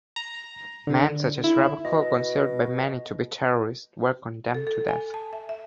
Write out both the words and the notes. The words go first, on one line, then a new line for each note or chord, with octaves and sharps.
Men such as Ravachol, considered by many to be terrorists, were condemned to death.
A#5
D3
E4
B2 D#5
A4
A4
G#5
A5
E5
E5